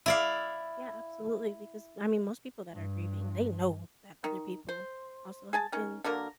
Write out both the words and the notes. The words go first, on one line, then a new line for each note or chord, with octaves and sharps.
Yeah, absolutely, because I mean, most people that are grieving, they know that other people also have been
E4 D5 F5
G2
D#3
C5
G#4 G#5 A5
D#3 C#4
D3 F#3 A#3 A#4